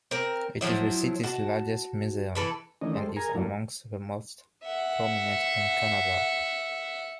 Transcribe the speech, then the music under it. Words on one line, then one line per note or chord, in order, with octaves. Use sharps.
It is the city's largest museum and is amongst the most prominent in Canada.
C4 A#4
F3 F#3 E4
F#4 A5
E3 A4 B4
D#3 E3 A3 C#4 D4 D#5
G3 G#3 A4 C5
G#4 A#4 G#5 A#5
F#2 F#3 A#3 D4 E4 A4
E5 F#5